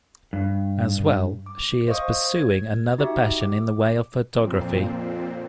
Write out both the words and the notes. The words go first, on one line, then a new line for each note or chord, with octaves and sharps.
As well, she is pursuing another passion in the way of photography.
G2
D6
C5 D#5 F5 C#6 D#6
G#6
D#4 F#4 G4 E5
D6
F2 A#2 C4